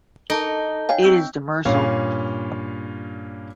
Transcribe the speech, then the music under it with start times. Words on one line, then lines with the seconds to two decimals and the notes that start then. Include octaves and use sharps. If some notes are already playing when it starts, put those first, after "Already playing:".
It is demersal.
0.30 D#4 A4 A5 A#5
0.89 C#5 F5 G5 G#5
1.03 C4 E6 G6
1.65 G2 A#2 C#4 F5